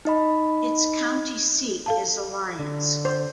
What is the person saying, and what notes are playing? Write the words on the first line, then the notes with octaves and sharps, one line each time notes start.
Its county seat is Alliance.
D#4 D#5 B5
A4 F5 A5
D3
C5